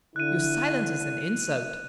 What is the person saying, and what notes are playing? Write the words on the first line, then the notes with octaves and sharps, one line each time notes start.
"Your silence is an insult!"
D3 E4 F#6 D#7